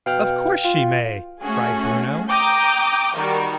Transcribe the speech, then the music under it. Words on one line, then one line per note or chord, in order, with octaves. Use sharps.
"Of course she may!" cried Bruno.
B2 F5 G5 F6
F4
A3 C#4 F#4 G#4
G5 A#5 D6 D#6 G6
D#3 G3 F#4 A#4